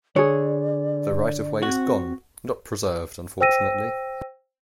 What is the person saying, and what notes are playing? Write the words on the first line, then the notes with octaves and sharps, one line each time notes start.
The right-of-way is gone - not preserved, unfortunately.
D3 G#4 C#5 D5
C4 F#4
C5 G5 E6 A#6 D#7